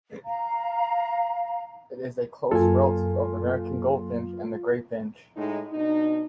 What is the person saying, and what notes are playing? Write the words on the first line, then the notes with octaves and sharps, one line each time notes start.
It is a close relative of the American goldfinch and the gray finch.
F5 A#5
F#2 F#3 A#3 F4 A4 G#5
A2 G#3 D#4
B2 D4 D#4